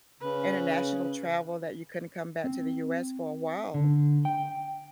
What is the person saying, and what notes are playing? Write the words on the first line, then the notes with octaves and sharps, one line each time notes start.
international travel that you couldn't come back to the US for a while,
C#3 B4
C4
D3
G5